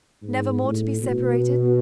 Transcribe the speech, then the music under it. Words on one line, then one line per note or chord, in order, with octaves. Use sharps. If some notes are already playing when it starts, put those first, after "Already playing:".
"Never more to be separated?"
G#2
A2
B2